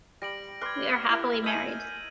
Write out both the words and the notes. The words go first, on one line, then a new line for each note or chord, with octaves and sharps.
We are happily married.
G3 A#6 D7 F#7
B4 C6 D6 F6 G#6
E4 A#4 E5
D#5 E5 G#5 G6 D#7 F#7